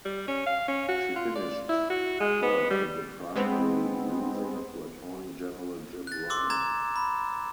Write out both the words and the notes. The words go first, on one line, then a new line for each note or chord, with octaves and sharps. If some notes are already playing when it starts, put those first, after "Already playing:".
She finished third in the primary losing to Attorney General Jim Ryan.
G3
C#4
F5
C#4
F#4
F4
D5
E4
F#4
G#3
B3
G3
G#3 B3 C4
F#6 A6
C6 D6 E6
A#5 G#6 E7
B5